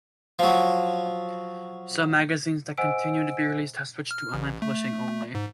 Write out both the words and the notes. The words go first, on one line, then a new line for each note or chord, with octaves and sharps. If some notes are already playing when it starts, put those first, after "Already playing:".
Some magazines that continue to be released have switched to online publishing only.
F3 F#3
C5 D#5 F#5 G#5 E6 D7
F6
A1
A3
G#2